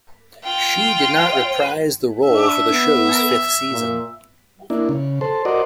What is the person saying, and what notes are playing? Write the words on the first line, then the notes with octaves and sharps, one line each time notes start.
She did not reprise the role for the show's fifth season.
F4 G5
D4 E5
B3
A#2
A#3 D4 E4
C#3
A4 C5
F#4 A#4 C5 D5 D#5